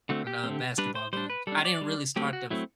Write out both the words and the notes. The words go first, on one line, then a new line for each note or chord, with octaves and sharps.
and, uh, basketball games, I didn't really start to v
D3 A3 C4 F#4
G4
D3 A3 C4
G3 D4 B4
C5
G3 D4 C5
B4
G3 D4 A4
D5
G3 D4
F#3 A3 C4 G4
F#4
F#3 A3 C4 E4